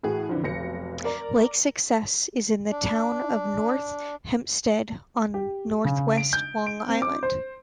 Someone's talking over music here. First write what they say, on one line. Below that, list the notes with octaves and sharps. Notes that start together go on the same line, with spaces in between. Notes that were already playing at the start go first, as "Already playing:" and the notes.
Lake Success is in the Town of North Hempstead on northwest Long Island.
A2 E3 F#4 G#4
F2 D3 E3
F1 B1 A#6 C#7
A#4 D5 A#5
D4
G4
C#3
D7
G6
D7
C4
D6
C5